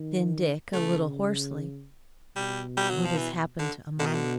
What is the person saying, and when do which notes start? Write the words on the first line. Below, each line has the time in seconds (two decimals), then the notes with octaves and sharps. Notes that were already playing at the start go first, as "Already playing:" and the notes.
Then Dick, a little hoarsely--'What has happened to Amomma?'
Already playing: D#3
0.73 C#3 A3
2.36 B2 G3
2.77 G3
2.90 F#3
3.05 F3
3.17 E3
3.59 D3
3.99 B2 D3
4.06 D#3
4.14 D3